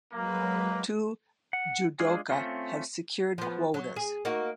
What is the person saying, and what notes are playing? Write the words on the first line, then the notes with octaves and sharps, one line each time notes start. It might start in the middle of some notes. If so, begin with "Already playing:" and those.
Two judoka have secured quotas.
F#3 G#3 A#3 B4
F#5
G#3 D4 F4 G#4
A3 C4 C#4 F4
F3 B3
F#3
G#4
A#3 D#4 F#4